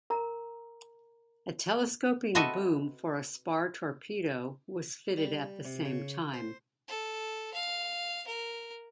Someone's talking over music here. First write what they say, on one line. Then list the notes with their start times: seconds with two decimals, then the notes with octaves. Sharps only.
A telescoping boom for a spar torpedo was fitted at the same time.
0.10 A#4 A#5
2.35 C4 F#4 A4 B4 D#5 E5
5.17 G3
5.65 C3
5.85 C#3
6.34 C5
6.88 A4
7.54 F5
8.27 A#4